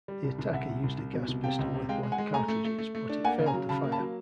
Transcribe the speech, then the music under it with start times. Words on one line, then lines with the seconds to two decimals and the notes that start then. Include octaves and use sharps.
The attacker used a gas pistol with blank cartridges but it failed to fire.
0.08 G3
0.24 C2
0.39 C2
0.53 C2 E5 F#5
0.69 C2
0.83 C2
0.98 C2
1.13 B2
1.28 C2
1.44 C3 F5 G5
1.59 C#2
1.74 C3
1.89 G#3 F5 G5
2.03 G#3
2.12 F#5 G#5
2.18 G#3
2.34 A3 G#5 A#5
2.48 A3
2.65 A3
2.78 A3
2.95 A3
3.09 D4
3.24 A#3 F#5 G#5
3.39 C#3
3.46 G#5 A#5
3.54 F#3
3.69 C#3 A5 B5
3.84 A#3
3.92 A5 B5
4.00 F#3